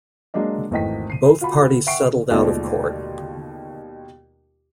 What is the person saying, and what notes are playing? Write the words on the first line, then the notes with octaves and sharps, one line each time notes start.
Both parties settled out of court.
F#3 G#3 A#3 D4 D#5
G#1 E2 A3 D#5 G5 B6
C7 D#7
F4 F#4 B5
E5 F#5 G5 C#6 C7 D7
D#2 B2 G#3 A3 F4 D5